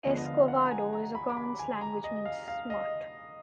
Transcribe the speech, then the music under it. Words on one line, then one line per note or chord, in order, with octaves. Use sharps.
'Escovado' is a common slang which means 'smart'.
D3 F3 G#3 B3 D4 D#5
D#5
F5
F#5
A#5
G#5
A#5
B5
D6
B5
G#5
A#5
D#5
F5
F5
D#5